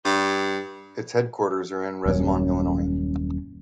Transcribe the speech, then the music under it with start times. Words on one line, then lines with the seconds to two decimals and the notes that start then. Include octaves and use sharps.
Its headquarters are in Rosemont, Illinois.
0.05 G2
2.06 D#1 F#2 C#4